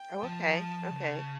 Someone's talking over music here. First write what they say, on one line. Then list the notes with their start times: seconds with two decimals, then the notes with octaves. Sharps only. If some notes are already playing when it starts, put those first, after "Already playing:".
Oh, okay, okay.
Already playing: G5
0.23 F3 A5
0.91 C#3